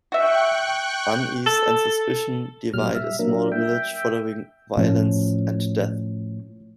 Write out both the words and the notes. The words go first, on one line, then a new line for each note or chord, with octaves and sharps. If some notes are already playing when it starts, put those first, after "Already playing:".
Unease and suspicion divide a small village following violence and death.
F#4 E5 G5 C#6 F#6
A4
A#2 F#3 G3 F6
E5
F#3 A#3 D4 A#4
E5 G5
A2 F3 C#4